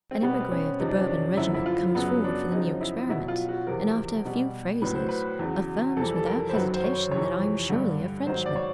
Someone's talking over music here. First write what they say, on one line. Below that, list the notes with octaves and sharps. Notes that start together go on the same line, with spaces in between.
An emigre of the Bourbon regiment comes forward for the new experiment, and after a few phrases affirms without hesitation that I am surely a Frenchman.
C4
B2 G3 B3
C4
C#4
F2 C3 F3 D#4
D4
C#4
D4
F#2 D3 F3 E4
E4
F4
F#2 C#3 F#3 B3
D4
F#2 C#3 F3 D#4
E4
B2 F#3 E4
F4
F#4
E2 C3 F3 A#4
B2 G3
A2 F#3 B4
C5
B4
E2 C#3 F#3
F2 C3 E3 G3 A4
A4
A#4
C5
F#2 D#3 F#3 B4
C5
C#5
C5
F2 C3 E3 C#5
G2 D3 G3
G#2 D#3 F#3 C5
D5
C#5